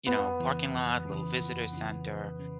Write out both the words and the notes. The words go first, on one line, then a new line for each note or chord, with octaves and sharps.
you know, parking lot, little visitor center,
F2 B3
C#3 E3
F2
C#3 E3
F2
C#3 E3
F2
C#3 E3